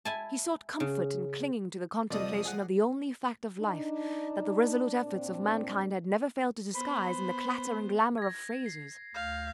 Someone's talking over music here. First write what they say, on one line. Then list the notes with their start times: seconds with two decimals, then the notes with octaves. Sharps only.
He sought comfort in clinging to the contemplation of the only fact of life that the resolute efforts of mankind had never failed to disguise in the clatter and glamour of phrases.
0.05 E4 G#5 A5
0.80 C#3
2.11 F2 C3 F3 G3 A4 D5 D#5 D#6
2.45 G#4 F#5 G#5 A5 D6
3.60 D4 D#4
5.00 A#2 C4
6.74 B3 C5 B5
8.18 G#6 A#6
8.66 C7
9.15 D2 F5 G6